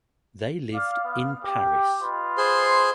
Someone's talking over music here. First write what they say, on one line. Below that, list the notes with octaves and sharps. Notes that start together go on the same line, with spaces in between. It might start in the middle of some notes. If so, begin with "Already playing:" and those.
They lived in Paris.
D5 F5
B3 F5
G4
F4 B4 D#5
G#4 C5 C6